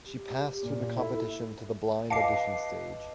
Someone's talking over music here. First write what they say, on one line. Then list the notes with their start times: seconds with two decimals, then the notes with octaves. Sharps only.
She passed through the competition to the Blind Audition stage.
0.06 G4
0.63 A#2
0.97 E4 A4
2.10 B4 D#5 F5 A5 D6 C7